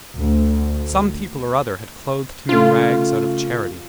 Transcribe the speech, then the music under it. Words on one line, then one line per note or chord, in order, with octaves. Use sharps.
Some people or other had clothed him in rags out of charity.
D2
C#3 A3 F4